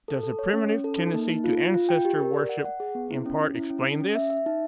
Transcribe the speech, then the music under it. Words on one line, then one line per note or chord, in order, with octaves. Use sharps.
Does the primitive tendency to ancestor worship in part explain this?
A4
A4
C#5
C#4
C#4
A4
D#4
A#3
D#4
F4
F4
F4
G5
G4
A#4
D5
F#5
F#5
G#4
B3
E4
C#4
C#4
E4
C#4
C#4
C#4
E5
E5
D#4